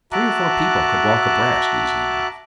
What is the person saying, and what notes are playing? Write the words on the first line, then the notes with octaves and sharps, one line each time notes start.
Three or four people could walk abreast easy enough.
F#4 E5 A5 A#5 D6 F#6